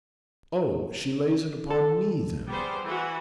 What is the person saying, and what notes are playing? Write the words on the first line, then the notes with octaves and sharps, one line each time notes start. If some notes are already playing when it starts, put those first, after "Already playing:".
'Oh!--She lays it upon me, then?'
A4
G3 B3 G#4 C5
E3 F#4